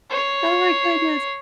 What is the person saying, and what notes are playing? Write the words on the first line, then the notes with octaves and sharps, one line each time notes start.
Oh my goodness.
C#5 C7